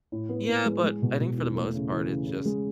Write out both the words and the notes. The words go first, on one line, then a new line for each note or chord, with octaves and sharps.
Yeah, but I think for the most part, it's just
A2
B3
A2
G#3
G#3
B2
B2
E2
A3
C#3
E3
C#3
C#3
G#3